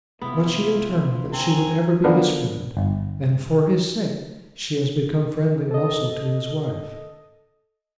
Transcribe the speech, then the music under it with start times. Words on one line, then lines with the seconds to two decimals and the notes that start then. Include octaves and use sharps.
But she determined that she would ever be his friend, and for his sake she has become friendly also to his wife.
0.22 D2 C3 G#3 B3 E4 F4
1.33 C4 G#5 A#5
2.04 D3 F3 B3 D4 A#4 B4
2.77 G1
5.71 A4 D#5